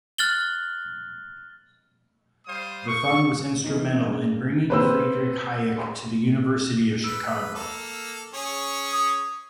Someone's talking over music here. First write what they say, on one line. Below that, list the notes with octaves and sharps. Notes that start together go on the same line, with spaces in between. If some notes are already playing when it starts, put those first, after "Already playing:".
The Fund was instrumental in bringing Friedrich Hayek to the University of Chicago.
F6 F#6 A6 F#7 G7
G3 C5 F5 D#6
C#6
E2 D#4
C#3 A#3
C3 A#3 G4 B4 C5 E6
B4 E6
A#3 A4
C#4 G#4 C#5
D#6